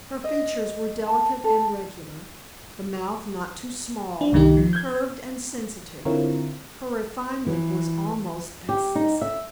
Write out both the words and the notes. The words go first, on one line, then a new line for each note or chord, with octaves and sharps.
Her features were delicate and regular, the mouth not too small, curved and sensitive; her refinement was almost excessive.
D#5
A5
A4
D4
C2 G2 D#3 A#3 D#4 G4
F3
G6 G#6
D3 C4 E4 F4 A#4 C#5
E3
G4
D#4
E5